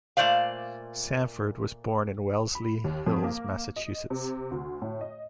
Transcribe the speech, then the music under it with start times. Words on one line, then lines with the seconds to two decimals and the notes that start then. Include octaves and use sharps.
Sanford was born in Wellesley Hills, Massachusetts.
0.17 A#2 A3 C5 D5 F5
2.55 B5
2.84 D#2
3.06 F2
3.24 A#3
3.76 D#5
4.10 C3
4.51 D2
4.82 A2
5.01 D#5